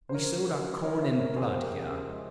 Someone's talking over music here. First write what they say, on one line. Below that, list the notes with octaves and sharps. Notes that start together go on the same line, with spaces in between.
We sowed our corn in blood here.
C5
F3 A#4 C#5
C#3
C#3
G#3
F3 A#4 C#5
C#3 C5 E5
C#3 A#4 C#5
G#3 G#4 C5
F3 G4 A#4
C#3
C#3
G#3